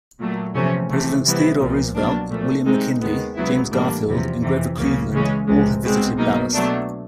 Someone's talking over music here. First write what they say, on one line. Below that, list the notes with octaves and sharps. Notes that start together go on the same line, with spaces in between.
Presidents Theodore Roosevelt, William McKinley, James Garfield and Grover Cleveland all have visited Ballast.
A#2 F#3 A3
E2 C3 F3 A3 C#4
C3 E3 A3
C3 E3 G3 B3 E4
C2 A#2 F3
B2 F#3 A#3 D4
A#2 F3 A3
C3 D#3 G#3 C4 D#4
D#2 D#3 G#3 B3
C#2 C#3 F#3 B3 E4
A2 E3 G3 A#3 D4
E2 C3 F3
F2 C3 E3
C#2 C#3 F#3 A#3
C#3 E3 G#3 C#4
C#2 C3 F3 G#3
C2 B2 G#3 C4
B2 F#3 A#3 D#4
B2 F#3 A3 D4